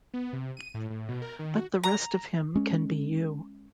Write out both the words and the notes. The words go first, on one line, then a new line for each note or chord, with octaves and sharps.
But the rest of him can be you.
B3
C3
D#7
A2
A2
B2
A#4
D#3
F#4
A#5
G#3 C#4